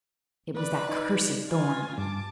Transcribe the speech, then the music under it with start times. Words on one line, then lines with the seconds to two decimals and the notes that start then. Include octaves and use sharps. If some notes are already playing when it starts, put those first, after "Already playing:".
"It was that cursed Thorn."
0.55 B4 D5
0.89 D#4
1.48 F4 G#5
1.98 G2 A5 D6